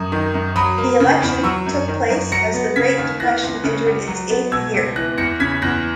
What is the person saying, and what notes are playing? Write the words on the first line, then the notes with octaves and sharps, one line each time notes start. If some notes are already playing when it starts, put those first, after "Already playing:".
The election took place as the Great Depression entered its eighth year.
Already playing: F#2 D#6
D#3
F#2
F#3 B5 D#6
A#3
C#3
E2
F#3 C#6 E6
F#2
D#3
F#2
F#3 A#6 C#7
B3
C#3 G#6 B6
D#2
E3 F#6 A#6
C#2
C#3
C#2
F#3
B3
B2 E6 G#6
C#2
E3 F#6 A#6
E2 A#6 C#7
C#3 G#6 B6
E2 F#6 A#6